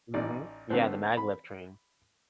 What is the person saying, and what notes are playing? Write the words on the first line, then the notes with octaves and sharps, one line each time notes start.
Mhm. Yeah, the maglev train.
A1 D#4 D5
D3 A3 B3 C4
B5